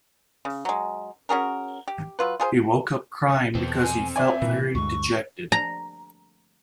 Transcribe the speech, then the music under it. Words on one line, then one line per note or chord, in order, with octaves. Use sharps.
He woke up crying because he felt very dejected.
C#3
F#3 G#3
C#4 F#4 G#4 A#4
G4
F#3 F4 B4
F4 G#4 A#4 C5
E2 B2 C4 A4
G#5
C5 D5 E5 G#5
A#2 E3
D2 G2 G#3 C#6
A#5